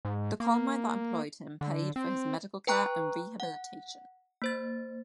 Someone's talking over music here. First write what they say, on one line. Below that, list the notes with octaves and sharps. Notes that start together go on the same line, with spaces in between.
The coalmine that employed him paid for his medical care and rehabilitation.
G#2
A#3
D3
C4
B4 G5 A#5 C#6 F#6
F#5
A#3 C5 A6